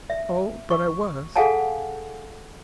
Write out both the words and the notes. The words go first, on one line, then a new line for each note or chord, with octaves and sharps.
"Oh, but I was."
E5
C#6
G#4 A4 F5 F#5 G#5 A5